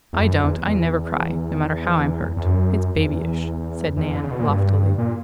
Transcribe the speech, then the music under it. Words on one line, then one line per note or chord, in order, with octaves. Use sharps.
"I don't, I never cry, no matter how I'm hurt; it's babyish," said Nan, loftily.
E2
F#2
E2
E2
E2
F#2
E2
E2
D3
C#3
B2
A#2
G2
A#2